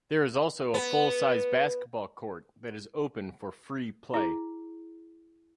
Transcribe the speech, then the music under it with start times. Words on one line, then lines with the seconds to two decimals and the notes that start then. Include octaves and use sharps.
There is also a full size basketball court that is open for free play.
0.74 B3
4.14 E4 G#4